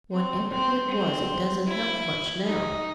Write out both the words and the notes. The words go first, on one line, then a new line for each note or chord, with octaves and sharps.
Whatever it was, it doesn't help much now.
C4
C4
C4
E4
D#4